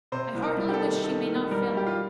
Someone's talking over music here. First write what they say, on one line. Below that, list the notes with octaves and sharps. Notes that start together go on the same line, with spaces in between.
I heartily wish you may not fail them.
C3 C5
C2
A#4
G3
G4
A4
D#3
D#3 A4
D#3
G3 A#4
G3 G4
F4